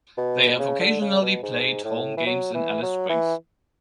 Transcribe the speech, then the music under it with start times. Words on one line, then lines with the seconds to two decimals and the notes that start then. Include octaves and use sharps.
They have occasionally played home games in Alice Springs.
0.17 B2
0.59 C#3
0.80 D3
1.01 C#3
1.22 B2
1.43 G#2
1.84 A2
2.17 E3
2.26 F#3
2.54 E3
2.82 F#3
3.09 E3